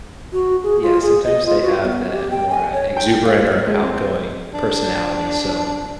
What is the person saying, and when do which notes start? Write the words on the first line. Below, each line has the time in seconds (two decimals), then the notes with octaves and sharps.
Yeah, sometimes they have that more, uh, exuberant or outgoing personality, so,
0.32 F#4
0.63 G#4
0.82 F4
1.02 G#4
1.24 D#5
1.46 F4
1.62 F#4
1.83 B3
2.12 G4
2.31 G5
2.49 G#5
2.73 C#5
2.97 G5
3.25 F4
3.67 G#3
3.84 C4
4.54 D4